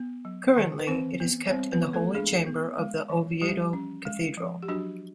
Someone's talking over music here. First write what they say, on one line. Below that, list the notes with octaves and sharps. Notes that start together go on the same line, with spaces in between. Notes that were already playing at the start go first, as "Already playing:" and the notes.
Currently, it is kept in the Holy Chamber of the Oviedo Cathedral.
Already playing: B3
F#3
D#3
B4
E3 C4 C5
B3
C#5
G3 C4 C5
B3 B4
E3
A3 A4
G#3 D4 G#4
B3
G#3
E3
F3 G3 G4
C#4
G#3
F3
G4
F#3 D4 F#4